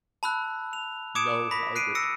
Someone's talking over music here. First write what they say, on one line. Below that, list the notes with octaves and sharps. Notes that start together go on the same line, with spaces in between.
No, Halbert!
A5 B5 E6 F#6
F7
D6 D#6 G#6 C#7 D7 E7
B5 A#6 B6
F#6 C7 D7 D#7
E6 A#6 C#7